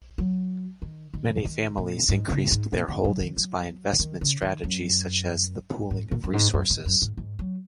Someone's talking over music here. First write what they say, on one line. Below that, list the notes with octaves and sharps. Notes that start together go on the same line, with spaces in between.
Many families increased their holdings by investment strategies such as the pooling of resources.
F#3
D#3
D#3
D#3
A#2
G#2
C#3
G#2
A#2
D#3
F#3
D#3
F#3
D#3
C#3
D#3
F#2
G#2
A#2
F#2
G#2
F#2
G#2
F#2
G#2
G#2
F#3